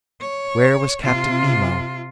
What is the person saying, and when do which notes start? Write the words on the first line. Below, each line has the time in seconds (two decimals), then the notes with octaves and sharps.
Where was Captain Nemo?
0.21 C#5
1.03 C3 F4